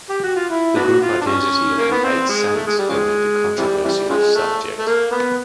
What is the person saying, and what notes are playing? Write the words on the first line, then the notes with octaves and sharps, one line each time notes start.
The group identity of the Eight Saints remains a controversial subject.
G4
F#4
F4
E4
B3 D4 F#4
F4
D4
C#4
A#3
B3
C4
G#3
A3
G#3
G3
C#3 F3 G#3
C3 E3 G3
C3 E3 G3
C#3 F3 G#3
A3
A3
A#3
B3